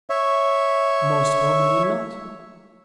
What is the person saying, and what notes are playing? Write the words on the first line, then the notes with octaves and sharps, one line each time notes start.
Most probably not.
C#5 E5